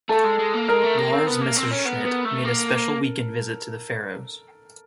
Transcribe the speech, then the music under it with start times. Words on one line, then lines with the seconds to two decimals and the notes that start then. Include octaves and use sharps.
Lars Messerschmidt, made a special weekend visit to the Faroes.
0.09 A3 A4
0.24 G#3
0.39 G#3
0.54 A#3
0.68 G#3 A#4
0.83 A3
0.98 A#3
1.13 C4
1.27 B3
1.42 A#3
1.56 C4
1.71 C#4
1.85 B3
2.05 B3
2.25 A3
2.45 A#3